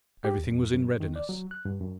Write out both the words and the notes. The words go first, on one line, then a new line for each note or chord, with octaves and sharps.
Everything was in readiness.
G4
D#2
F2
F#2
D#3
D5
F#3
F#6
G2
F#2